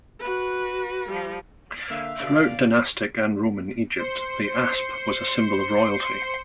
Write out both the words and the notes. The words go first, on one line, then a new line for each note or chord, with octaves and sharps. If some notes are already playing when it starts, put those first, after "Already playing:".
Throughout dynastic and Roman Egypt, the asp was a symbol of royalty.
F#4 B4
F3 G3
D3 A#3 E5 F5
B2 D3 D5 F5
C5 C6 C#7